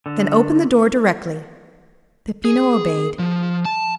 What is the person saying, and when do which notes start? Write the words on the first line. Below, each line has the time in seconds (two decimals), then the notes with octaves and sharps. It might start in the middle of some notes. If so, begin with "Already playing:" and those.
"Then open the door directly." Peppino obeyed.
0.06 D3
2.45 G#4
3.19 F3
3.65 A5